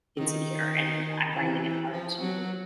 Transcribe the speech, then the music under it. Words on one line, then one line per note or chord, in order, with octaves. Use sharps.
insecure, and I'm finding it hard to
D#3
E3
F3
F#3